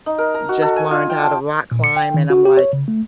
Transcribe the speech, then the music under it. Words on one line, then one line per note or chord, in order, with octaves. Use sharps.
just learned how to rock climb and I'm like,
D#4
A#4
A#5
F#4
A4
G#5
F4
G5
A5
A#2
C#7
G5
D#3
F#4
G4
C#5
C#3
A3